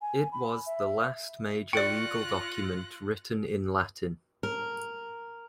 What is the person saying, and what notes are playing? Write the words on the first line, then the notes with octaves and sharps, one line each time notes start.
It was the last major legal document written in Latin.
G#5
B5
E5
F4 D5 G5 C#6 F#6 A#6
A#4